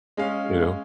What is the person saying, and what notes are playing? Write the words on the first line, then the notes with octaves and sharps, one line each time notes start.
you know,
G#3 C#4 F5